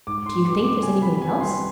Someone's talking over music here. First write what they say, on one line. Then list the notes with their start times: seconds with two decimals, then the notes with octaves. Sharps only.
'Do you think there's any one else?'
0.07 G#2 D6
0.26 C6
0.45 G3 B3 D6
0.64 D6
0.83 C3 G#5
1.02 B5
1.15 B5
1.21 G3 B3 G#5
1.40 C6